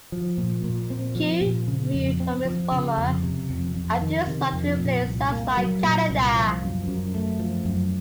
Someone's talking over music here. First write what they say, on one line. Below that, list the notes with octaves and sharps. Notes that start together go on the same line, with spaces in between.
"Q" moved from its former afternoon slot to replace "Sounds Like Canada".
F3
A#2
A#2
C4
F3
A#2
C#3
F2
C4
F3
C#3
F2
C3
F2
F2
D#3
C3
F2
A#2
C2
A#3
F#3
A#2
C2
F3
F#2
F#2
A3
F3
F#2